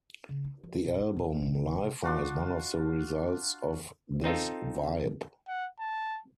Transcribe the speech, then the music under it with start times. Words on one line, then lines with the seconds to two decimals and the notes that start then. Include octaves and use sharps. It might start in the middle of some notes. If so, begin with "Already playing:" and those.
The album 'Lifer' is one of the results of this vibe.
0.29 C#3
0.44 D#4
0.63 F3
0.85 B2
0.99 C4
1.17 B2
1.29 F2
1.42 A#1
1.54 B3
1.67 D#1
1.81 C3
2.04 D4 F4 F#4
4.24 C4 D#4 F4 A4
5.48 F#5
5.79 A5